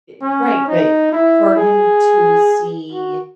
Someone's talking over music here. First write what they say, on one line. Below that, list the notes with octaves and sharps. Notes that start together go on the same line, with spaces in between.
Yeah, e right, but for him to see,
C#4
D#4
E4
G#4
F#4